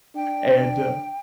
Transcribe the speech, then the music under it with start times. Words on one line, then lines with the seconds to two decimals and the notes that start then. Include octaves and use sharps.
and, uh
0.16 D4 G5